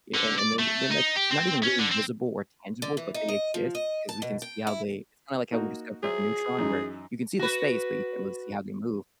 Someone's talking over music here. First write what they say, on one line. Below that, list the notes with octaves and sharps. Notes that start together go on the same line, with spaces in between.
and and they're they're, like, they're not even really visible or tangible, but they exist, 'cause we can see how they it's kinda like how we discovered the neutron, where you can see the space, but you can't really see how they move,
D3
D5
A3
D#4
G4
C4
C#4
D3
C4
D3
E3
D#4
D#5
F3
D#5
A5
B2
G5
E4
A#3 D#4 F#4
F#3 G#4 C5 E5
F#2 E3 D#4
F#4 B4